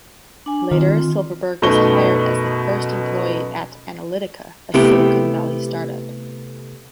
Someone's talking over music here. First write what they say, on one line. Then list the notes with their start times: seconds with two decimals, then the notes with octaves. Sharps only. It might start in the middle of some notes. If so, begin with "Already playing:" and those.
Later Silverberg was hired as the first employee at Analytica, a Silicon Valley startup.
0.46 D4 G#5
0.71 D#3 C4 F4
1.62 F#2 B2 A3 D#4 C#6 G7
4.74 C3 A3 B3 E4 G4